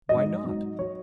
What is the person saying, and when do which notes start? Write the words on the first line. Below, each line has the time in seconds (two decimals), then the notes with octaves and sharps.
Why not?
0.09 F#3 D#5
0.15 G#2
0.44 G#2 F#3
0.79 F#3 C#5